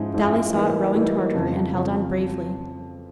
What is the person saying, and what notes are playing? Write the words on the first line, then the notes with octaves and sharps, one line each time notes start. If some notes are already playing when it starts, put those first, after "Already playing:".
Dolly saw it rowing toward her, and held on bravely.
Already playing: G#2 F3 G#3 C#4 E4
G#2 F3 G#3 C#4 E4
E3 G3 A#3 D#4
E3 G3 A#3 D#4
F2 C#3 F3
F2 C#3 F3